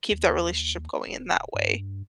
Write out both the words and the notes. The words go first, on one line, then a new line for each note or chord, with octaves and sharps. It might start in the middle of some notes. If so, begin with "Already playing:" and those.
keep the relationship going in that way,
D#2
D1
G2